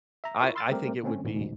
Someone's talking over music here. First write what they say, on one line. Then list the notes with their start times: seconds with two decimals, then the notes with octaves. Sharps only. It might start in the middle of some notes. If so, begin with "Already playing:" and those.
I I think it would be
0.24 E5 A#5
0.39 E4 F4 A#4 E5 C#6
0.55 B5 C6 E6 F6 A6
0.70 G3 A3 C4 G4 A#4
1.03 D3 A3 C4 C#4
1.24 A1 D2 G#2 B2